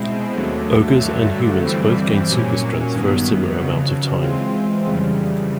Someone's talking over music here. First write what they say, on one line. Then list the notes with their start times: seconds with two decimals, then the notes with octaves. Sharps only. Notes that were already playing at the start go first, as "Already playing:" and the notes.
Ogres and humans both gain super strength for a similar amount of time.
Already playing: B2 G#3 C4 E4
0.35 D#2 D3 F#3 A3
0.99 G2 D3 F#3 A3
1.64 G2 E3 G3 C4
2.28 A#2 F#3 A#3 C#4
2.93 G2 D#3 F#3 B3
3.57 F2 C#3 F#3
4.21 E3 G#3 C4 F4
4.86 F2 C#3 E3 G3